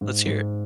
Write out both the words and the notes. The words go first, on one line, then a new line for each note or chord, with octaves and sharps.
Let's hear it.
G#2
G#2